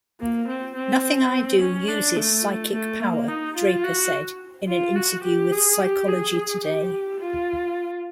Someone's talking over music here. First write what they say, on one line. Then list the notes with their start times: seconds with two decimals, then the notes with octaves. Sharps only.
"Nothing I do uses psychic power," Draper said in an interview with Psychology Today.
0.20 A#3
0.48 C4
0.75 C4
1.60 C#4
1.88 D4
2.16 A3
2.72 A3
3.00 A#3
3.28 D#4
3.56 F4
3.83 F#4
4.68 F4
4.96 F#4
5.24 G4
5.52 G#4
5.80 G4
6.08 G#4
6.64 G4
7.20 F4